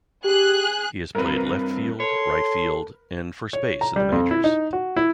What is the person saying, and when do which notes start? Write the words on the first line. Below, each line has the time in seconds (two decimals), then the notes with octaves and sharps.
He has played left field, right field, and first base in the majors.
0.24 G4 G#4 F#6
1.15 G2 C4 A#4 B4
2.00 A4 C#5 C6
3.53 C#5
3.81 A#5
3.96 G3
4.12 F2
4.31 E4
4.44 D#4
4.73 F#4
4.96 E4